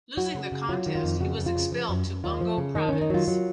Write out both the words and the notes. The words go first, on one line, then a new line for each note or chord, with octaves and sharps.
Losing the contest, he was expelled to Bungo Province.
F#3 F#4
C#3
C#3
F#3 F4
D#3
F4
F2
C#3 F#4
F2
F4
C#3
F3
F#2
F#2
D#2 F4
F3
C#3
D#3 D#4
D#3 C#4
D#4
F#3 F4
F#3